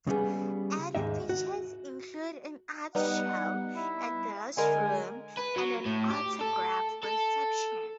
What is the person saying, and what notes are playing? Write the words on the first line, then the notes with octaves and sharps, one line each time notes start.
Other features include an art show, a dealer's room, and an autograph reception.
C#3 G3 B3 G#4
D#2 G#2 D#4 E5
F#4
G3 B3 D#4 F#5
E4
D3 G#3 A#4 G#5
B4
F#3
A2
G4
A4
A4